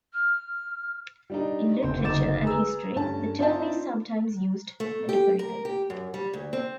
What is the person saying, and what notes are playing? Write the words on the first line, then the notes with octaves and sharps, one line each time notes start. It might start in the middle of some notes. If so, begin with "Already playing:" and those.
In literature and history, the term is sometimes used metaphorically.
F6
G3 D4 D#4
F#1 C4
F#1 D2 D#4 D6 A6 E7
G#4 B4 A#5 E6
G2 A3 C#4 A5
C4 D4 D#4 F4 E5 A5
A3
G4
A#4
G4
F#2
G3
D2
C4